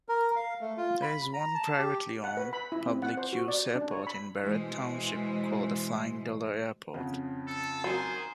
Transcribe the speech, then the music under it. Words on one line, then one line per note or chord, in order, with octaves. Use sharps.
There is one privately-owned, public-use airport in Barrett Township called the Flying Dollar Airport.
A#4
F5
A3
F4
B5
A#5
A5
G4
F#5
B4
B5
E4
C4
F#5
C5
F#4
D5
D4
C#5
B5
B2 E3 G#3 C5
F2 C#3 F#5
A4
D#3 F#3 C5 G#5